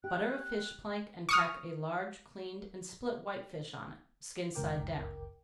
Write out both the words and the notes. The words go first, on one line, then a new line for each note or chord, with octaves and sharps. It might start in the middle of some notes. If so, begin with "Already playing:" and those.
Butter a fish-plank and tack a large cleaned and split whitefish on it, skin side down.
G4 F#6
C#6 D#6 F6
G1 C#2 F#2 A#4 G5 D6